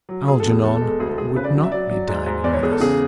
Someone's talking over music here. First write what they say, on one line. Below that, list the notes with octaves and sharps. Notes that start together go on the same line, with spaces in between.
Algernon would not be dining with us.
F#3
B2 G#4
A4
E2
G#4
E2 A4
A4
G#3
A4
D2 G#4
A4
D2 G#4
A4
C#3 B4
D5
F#3
E5
F#3 D5
F#3
G#2
G#2
E2 D5
C#5
E2 G#4
A4
C#3 G#4